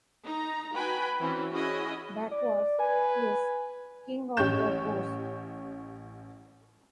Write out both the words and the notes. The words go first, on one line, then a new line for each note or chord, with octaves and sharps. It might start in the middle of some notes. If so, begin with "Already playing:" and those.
Bakwas is king of the ghosts.
D#4 A#5
F#4 B4 G5 G#5 B5
E3 C4 C#4 F#4
C#4 E4 F#4 G#4 D#5 G#5
D5
B4 G#5
A1 C#4 G4 C#5 G6 E7